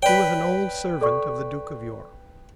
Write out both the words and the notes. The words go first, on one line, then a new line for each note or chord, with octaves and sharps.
He was an old servant of the Duke of York.
B4 C#5 D5 G5 B6
A4 D5 C#6